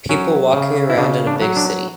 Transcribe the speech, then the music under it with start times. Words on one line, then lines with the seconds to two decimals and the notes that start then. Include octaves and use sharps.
People walking around in a big city.
0.09 F#3 C#4
0.53 C#3
0.89 E4
0.98 C#3 D4
1.27 D4
1.41 F#3
1.57 D4